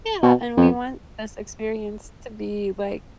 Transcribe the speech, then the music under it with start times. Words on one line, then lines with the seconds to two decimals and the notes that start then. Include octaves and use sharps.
Yeah, and we want this experience to be, like
0.23 B2
0.57 F2